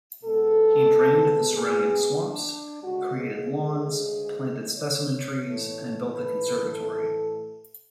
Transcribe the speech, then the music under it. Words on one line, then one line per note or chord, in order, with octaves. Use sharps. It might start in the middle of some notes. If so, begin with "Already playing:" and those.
He drained the surrounding swamps, created lawns, planted specimen trees, and built the conservatory.
B2 G#3 B3 A4
G#4
D4
D2 C#3 G#3 F#4
G#4
C#5
A2 E3 A3
B4
A4